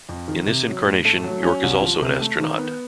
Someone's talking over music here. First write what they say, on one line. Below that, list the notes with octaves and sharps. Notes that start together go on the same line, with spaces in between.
In this incarnation, York is also an astronaut.
F2
D#3
C3
F#3
A2
A3
F#3
C#4
C2
F3
C3
A3
D#3
B3